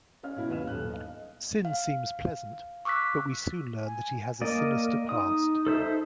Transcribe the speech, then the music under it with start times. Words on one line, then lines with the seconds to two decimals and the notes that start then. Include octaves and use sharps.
Syn seems pleasant but we soon learn that he has a sinister past.
0.23 C#4 D#5 F5 F6
0.36 B2 E4
0.49 D#2 C#4 B4 F5 F6 E7
0.67 D#1 B1 F#6
0.89 D#5 F5
1.65 F5
2.85 C#6 D6 E6 F#6 B6
3.86 G#5
4.41 A#3 A#4 D5 D#5
5.09 D#4 D#6
5.67 A4 C5 E5